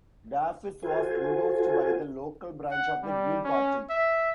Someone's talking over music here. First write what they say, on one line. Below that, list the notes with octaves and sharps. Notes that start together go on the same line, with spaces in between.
Dafis was endorsed by the local branch of the Green Party.
F4 F#4 A4 C5 G#5
F#5
G3
C#4
E5